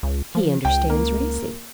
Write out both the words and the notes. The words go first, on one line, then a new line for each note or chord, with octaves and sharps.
"He understands racing."
C#2
F3
C#2 G5
A#3